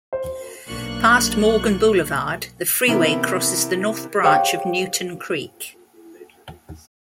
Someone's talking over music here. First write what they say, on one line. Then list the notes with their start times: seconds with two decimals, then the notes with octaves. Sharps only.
Past Morgan Boulevard, the freeway crosses the North Branch of Newton Creek.
0.13 C5
0.67 B1 A#3 D4 C#6 F#6
2.88 C3 E3 B3 E4 A#4
4.23 G4 G#4 C5 C#5 F5 G5